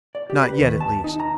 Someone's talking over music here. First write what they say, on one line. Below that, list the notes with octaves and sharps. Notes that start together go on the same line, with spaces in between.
Not yet, at least.
D5
G4
B4
D#2
A5
D#4
A#5